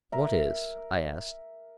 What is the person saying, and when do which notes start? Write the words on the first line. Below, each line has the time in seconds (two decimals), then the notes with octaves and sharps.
"What is?" I asked.
0.12 A#4 E5